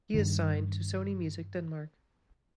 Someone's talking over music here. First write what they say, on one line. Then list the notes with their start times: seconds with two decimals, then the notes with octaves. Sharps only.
He is signed to Sony Music Denmark.
0.14 G2 D#3